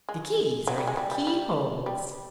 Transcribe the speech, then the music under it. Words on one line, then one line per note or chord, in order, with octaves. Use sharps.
The keys are in the keyholes.
G#3
F#3
G3
G#3
G3
G3
G3
G3